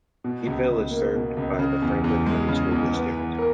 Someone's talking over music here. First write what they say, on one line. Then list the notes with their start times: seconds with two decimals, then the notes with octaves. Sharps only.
Meadville is served by the Franklin County School District.
0.24 B2
0.47 C#2
0.69 C#2
0.91 A#3
1.15 B2
1.37 C#2
1.59 C#3
1.82 E2
2.04 E2
2.26 G#3
2.48 C#3
2.72 E2
2.93 B3
3.16 E3
3.38 A#4